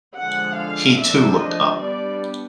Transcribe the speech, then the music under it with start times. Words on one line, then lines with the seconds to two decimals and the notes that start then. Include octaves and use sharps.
He too looked up.
0.17 D3 F3 G#3 F#5
0.59 F5
0.99 F3 A3 D4 E5
1.39 D#5
1.79 G3 B3 D4 D5